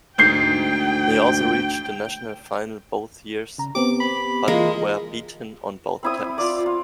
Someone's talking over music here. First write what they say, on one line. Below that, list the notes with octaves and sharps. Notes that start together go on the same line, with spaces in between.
They also reached the national final both years but were beaten on both attempts.
D2 G#2 G5 G6 C7
C#3 A#5
B3 C4 G4 D6
B5
E3 G#3 A#3 F4
C4 E4 D#6
F4 D5
F4